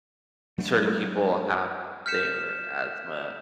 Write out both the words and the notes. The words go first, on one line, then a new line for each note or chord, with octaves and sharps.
certain people have their asthma
F#3 A3 D4
F6 G6 B6 C#7 E7